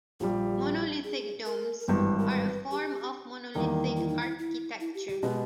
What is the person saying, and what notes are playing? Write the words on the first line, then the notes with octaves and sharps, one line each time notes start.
Monolithic domes are a form of monolithic architecture.
A#1 A#2 G3 G4
G#4
A#4
A#4
G#1 G2 E3 B4
A#4
B4
G4
E2 D#3 G3 A#3 D#4
E4
D#4
E4
E4
E4
G4
G4
B2 G#3 B3 G4